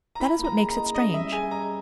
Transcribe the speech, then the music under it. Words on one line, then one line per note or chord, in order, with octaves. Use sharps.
That is what makes it strange.
A#5
E4 B5
A#3
A#5
G#4
A#5
D#5
C#4 D#5
G3 E5
G#4 G#5
D#5 A#5